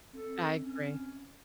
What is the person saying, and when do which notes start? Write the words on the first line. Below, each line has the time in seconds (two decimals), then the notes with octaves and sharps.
I agree.
0.14 C4 A4
0.58 C#4